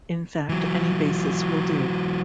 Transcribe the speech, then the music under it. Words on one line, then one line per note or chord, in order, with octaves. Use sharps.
In fact, any basis will do.
E3 F#3